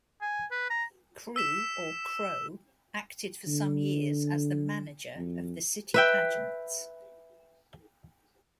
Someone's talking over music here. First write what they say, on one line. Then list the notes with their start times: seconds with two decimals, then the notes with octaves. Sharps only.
Croo, or Crowe, acted for some years as the 'manager' of the city pageants.
0.21 G#5
0.51 B4
0.70 A#5
1.36 E6 B6 E7
3.48 D3
5.16 F2
5.94 B4 E5 G5